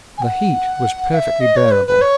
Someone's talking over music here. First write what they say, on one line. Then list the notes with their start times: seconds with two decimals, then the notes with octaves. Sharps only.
The heat was perfectly bearable.
0.17 G#5
0.22 F#5
1.10 F#5
1.14 E5
1.40 D#5
1.56 C#5
1.71 B4
1.87 B4
2.01 C#5